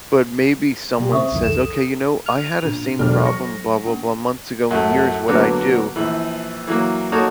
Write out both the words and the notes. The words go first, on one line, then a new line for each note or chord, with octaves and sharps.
but maybe someone says, "Okay, you know, I had a same problem 'blah blah blah' months ago, and here's what I'd do,
B2 G3 G4
C#3 C4 E5 C#6 D#6
C2 F#2 D#3
B1 F2 A4 E7
D#6
F6 F7
A#2 D4
E1 F#3 D4 A4 F6
C#6 A#6
A#3
F#2 A3
D3 F#3 A#3 B3
A#1 E3
E3 F#3 A#3
A#3 D#4 F#4 A4 C#5